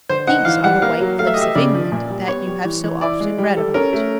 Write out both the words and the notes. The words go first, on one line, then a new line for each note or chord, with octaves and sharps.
These are the white cliffs of England that you have so often read about.
D3 C5
D#4 F#5
E3 F5
G3 F#5
A#3 F5
F#3
A3 F5
E5
D#5
G4 E5
C#3 D5
F3
A#2
G3
B3 C#5
G3
E3
E3
E4 D5
G#3
G3
A4
C#4 A#4
A3